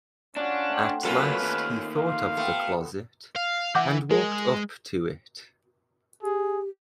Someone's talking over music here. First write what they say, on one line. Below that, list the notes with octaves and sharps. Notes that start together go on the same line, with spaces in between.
At last he thought of the closet, and walked up to it.
C#4 D4 F4 F#4 F#5
A3 C4 F#4
F#3 A#3 C#4 F4 A4 B4
D#2
F4 F5
A3 B3 G4 A5
F5
E3 F#5 D6 G6
G#3 G#4 A#4
G4 G#4